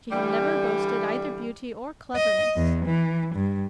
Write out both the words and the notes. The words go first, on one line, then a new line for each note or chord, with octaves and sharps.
She had never boasted either beauty or cleverness.
D3 E3 G3
D#5
E2
E3
G2